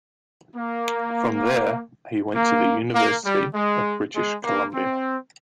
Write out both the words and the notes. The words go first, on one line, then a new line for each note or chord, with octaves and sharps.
From there he went to the University of British Columbia.
A#3
A#3
A#3
G3
G#3
G#3
A#3
C4